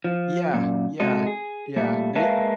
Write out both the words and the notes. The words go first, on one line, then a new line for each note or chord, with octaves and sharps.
yeah, yeah, yeah, and it
F3
F#2 A#2
C3 G#3 F#4 A4 D#5
G#4
A#2 G3 A3
G#3 A#3 B4 E5 F5 A5